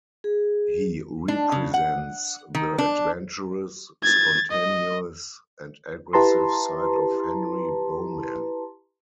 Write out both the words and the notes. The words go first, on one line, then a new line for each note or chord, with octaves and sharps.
He represents the adventurous, spontaneous and aggressive side of Henry Bowman.
G#4
D4
C#3
F#5
D#3
D4
G#6 A6
D#5
E4 G4 B4 A5 A#5 C6